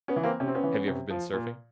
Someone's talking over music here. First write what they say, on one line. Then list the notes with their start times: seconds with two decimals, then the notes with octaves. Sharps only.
Have you ever been surfing?
0.08 B3 C#4
0.16 E3
0.23 A#3 C4
0.40 C3 C#4
0.48 C4
0.55 B3 C#4
0.63 E3
0.88 C3
1.10 F3
1.34 A#2